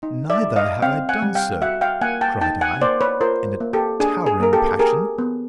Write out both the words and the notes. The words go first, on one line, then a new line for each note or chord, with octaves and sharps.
"Neither have I done so," cried I, in a towering passion.
D#4
D5 E5
G3
D#5 F5
C4 F5 G5
F#5 G#5
G3
F5 G5
F#4 E5 F#5
F5 G5
A#3 F#5 G#5
G5 A5
D#4 G5 A5
F#5 G#5
A#3 C5 D5
B4 C#5
F4 A#4 C5
A#3
G4 A4
D4 G#4
G#4
A#3 A#4
G4 A4
G4 G#4 A#4
B3